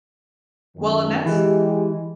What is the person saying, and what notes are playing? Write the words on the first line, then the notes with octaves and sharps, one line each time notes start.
Well, and that's
F#2 D#3
E3 G#3 G4